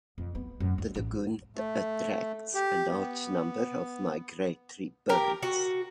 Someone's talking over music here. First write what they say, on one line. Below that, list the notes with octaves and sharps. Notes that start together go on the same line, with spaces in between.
The lagoon attracts a large number of migratory birds.
F2
B3
F#2
G#3
A1
A3
G4
B3
G4 A#4
F#4